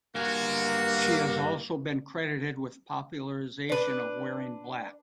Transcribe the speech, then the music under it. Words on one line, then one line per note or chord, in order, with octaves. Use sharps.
She has also been credited with popularisation of wearing black.
G2 A#3 F#4 G#5
D4 B4